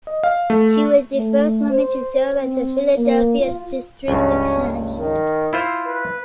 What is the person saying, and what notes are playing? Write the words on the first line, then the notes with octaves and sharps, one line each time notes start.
She was the first woman to serve as Philadelphia's district attorney.
D#5
F5
A3
A3
C5
C4
A#3
F4
C#2 G2 C#4
D#3
E4 F4 C5
B4